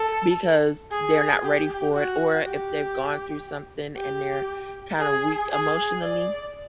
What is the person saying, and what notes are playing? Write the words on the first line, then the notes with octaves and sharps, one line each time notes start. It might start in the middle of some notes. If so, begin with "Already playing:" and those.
because they're not ready for it, or if they've gone through something, and they're kinda weak emotionally,
Already playing: A4
G#4
G4
F#4
G4
G4
G#4
G#4
D5